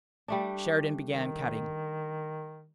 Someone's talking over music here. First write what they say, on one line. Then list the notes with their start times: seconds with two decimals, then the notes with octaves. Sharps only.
Sheridan began cutting.
0.28 G3 A3 D4
1.05 D#3